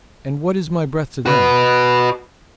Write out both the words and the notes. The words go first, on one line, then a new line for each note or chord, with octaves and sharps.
And what is my breath to them?
F#4 B4